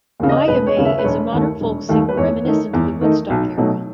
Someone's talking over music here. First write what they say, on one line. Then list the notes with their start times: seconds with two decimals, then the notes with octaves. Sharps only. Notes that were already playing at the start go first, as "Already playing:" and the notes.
Ayame is a modern folk singer reminiscent of the Woodstock era.
0.20 D#2 C#3
0.29 D#5
0.48 E1 B4
0.67 C#5
0.77 D#2 C#3
0.85 E5
0.98 B4
1.04 E1 C#5
1.32 D#2 D#3 A3
1.61 E1
1.89 D#2 D#3 A3
2.09 B4
2.17 E2 C#5
2.45 D#3 A3 D#4
2.73 E2
3.01 D#3 A3 D#4
3.30 B1
3.58 B2 F#3 A3 D#4